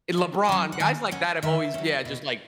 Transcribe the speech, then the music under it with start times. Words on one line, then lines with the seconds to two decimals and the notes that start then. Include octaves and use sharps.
LeBron, guys like that have always yeah, just like,
0.17 D#3
0.49 F#3 C#4
0.72 F#5
0.80 D#3 G#5
1.11 F#3 C#4 F#5
1.43 D#3 E5
1.74 F#3 C#4
2.05 B2